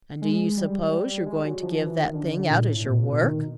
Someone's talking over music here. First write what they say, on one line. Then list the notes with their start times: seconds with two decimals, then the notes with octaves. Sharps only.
'And do you suppose you're going to give that thing out as your work?'
0.22 G#3
0.57 G3
0.92 G3
1.26 G#3
1.45 F#3
1.62 F3
1.80 E3
1.97 D#3
2.14 D3
2.32 D3
2.50 A#2
2.67 A2
2.85 A#2
3.03 B2
3.20 D#3